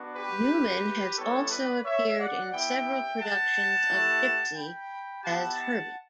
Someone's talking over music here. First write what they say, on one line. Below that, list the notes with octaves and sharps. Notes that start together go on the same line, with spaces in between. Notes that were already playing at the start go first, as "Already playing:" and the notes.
Newman has also appeared in several productions of "Gypsy" as Herbie.
Already playing: B3 D4 F#4
G4 B4
G3 B3 E4 A4 C#5
B4 D5
C#5 E5
D5 F#5
B3 E4 G4 E5 G5
F#5 A5
A3 E4 G4
G5 B5
B3 E4 G4 F#5 A5
F#5 A5